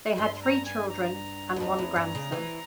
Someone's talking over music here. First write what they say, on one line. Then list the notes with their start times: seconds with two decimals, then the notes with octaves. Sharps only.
They had three children and one grandson.
0.18 G2 C6
0.36 C6
0.42 A#5
0.65 G#5
0.89 A#5
1.56 E2
1.60 F2 A#5
1.78 E2
1.96 G2
2.15 C#3
2.32 E3